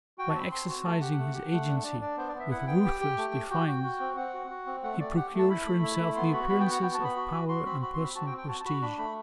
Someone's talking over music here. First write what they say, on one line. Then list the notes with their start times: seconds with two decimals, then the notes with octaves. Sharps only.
By exercising his agency with ruthless defiance he procured for himself the appearances of power and personal prestige.
0.18 F#4 G5
0.30 A5
0.35 C4 B5
0.51 C4 C6
0.68 F#4
0.84 A3 A5
1.01 G4 F#5
1.18 A3
1.34 G4
1.51 A3
1.68 D4
1.84 D4 D5
2.01 D4 D5
2.17 B3 C5
2.28 D5
2.35 B3
2.40 E5
2.51 E4 F#5
2.67 B3 G5
2.84 G4
3.01 G4
3.18 A3
3.34 G4
3.50 F#4 G5
3.67 F#4
3.83 F#4
4.00 C4
4.17 C4 F#5
4.34 F#4
4.50 F#4
4.67 C4
4.83 A3 F#5
5.00 A3 D5
5.17 G4 F#5
5.33 A3
5.39 A5
5.50 E4 B5
5.66 A3
5.83 E4
5.99 A3
6.16 B3 C6
6.33 F#4 B5
6.49 B3 B5
6.60 G5
6.66 F#4
6.72 F#5
6.82 B3 G5
6.94 A5
7.00 B3 B5
7.16 F#4
7.32 F#4
7.48 F#4 C6
7.66 C4 B5
7.82 F#4 B5
7.93 C6
7.99 C4 B5
8.15 F#4 A5
8.26 G5
8.32 C4
8.38 G5
8.48 F#4 A5
8.60 A5
8.65 F#4 B5
8.82 D4 B5
8.98 A3 B5